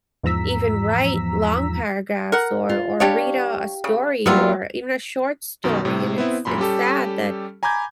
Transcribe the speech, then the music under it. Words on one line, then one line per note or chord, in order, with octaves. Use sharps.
even write long paragraphs or or read a a story or even a short story, and it's it's sad that
E2 G#2 F3 A#5 E6 B6
A#4 F#5
F4
G3 D4 G4 C#5 F5
C#3
F#3 G3 A#3 B3 E4 F4
F#2 B2 D#3
A2 C3
B3 C4 E4
F#2 A#2 B5 C6
G3 C#4 G4 A4
G#5 A#5 B5 D6 G6 G#6